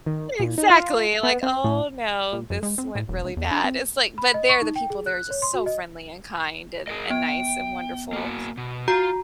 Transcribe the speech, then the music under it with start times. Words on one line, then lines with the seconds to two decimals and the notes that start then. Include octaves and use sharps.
Exactly like, "Oh, no, this went really bad." It's, like, but they're the people they are just so friendly and kind and and nice and wonderful.
0.06 D#3
0.40 A#2
0.58 D#4
0.70 F4
1.23 B3
1.43 C4
1.64 A2
2.33 A#2
2.50 F#2
2.63 G#3
2.78 C4
2.95 A2
3.09 E1
3.24 D2
3.37 E2
3.51 D4
3.64 C4
4.18 B5
4.34 D#5
4.49 C#6
4.62 D#4
4.76 G5
4.90 G#4
5.06 F#6
5.31 C#5
5.42 C6
5.54 F#4
5.66 D#5
6.87 G#4 A#4 D#5
7.10 B3 G5
8.13 A#3 F#4
8.57 B2
8.88 F4 F#4 A#5